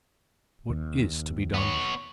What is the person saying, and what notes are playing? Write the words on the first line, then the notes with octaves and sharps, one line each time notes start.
What is to be done?
D#2
B3 C#5